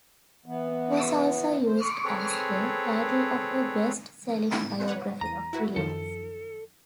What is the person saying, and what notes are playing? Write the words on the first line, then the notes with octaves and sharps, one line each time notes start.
It was also used as the title of a best-selling biography of Williams.
E3 B3
C5
C4 G#4 A4 B4 C#5
B4 C#5 F#5
E2 A#5 D#7
E4 F#4 B4
F#2 D#3 F3 A4